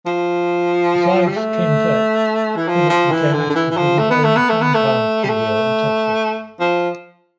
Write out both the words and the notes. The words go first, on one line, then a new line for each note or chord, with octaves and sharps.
Besides King's X, Pinnick became active with his own Hound Pound studio in Texas.
F3
G3
A3
E3
F3
F3
E3
D3
D3
E3
E3
F3
A3
B3
A3
B3
A3
B3
A3
G3
A3
F3